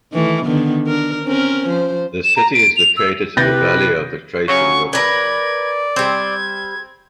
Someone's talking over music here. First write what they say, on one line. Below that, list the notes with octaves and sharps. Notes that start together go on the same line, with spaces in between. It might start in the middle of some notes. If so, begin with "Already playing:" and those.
The city is located in the valley of the Traisen River.
D#3 E3 A3
D3 D#3 B3
D4 A#4
C4 C#4 A#4
F3 C5
E7
A#5
D7
F7
E6
C3 E4 G4 B4 F#6 G6 A6 A#6
C#3 F#3 C#4 C#6
A#4 B4 D5 G#6
G3 C4 C5 G#6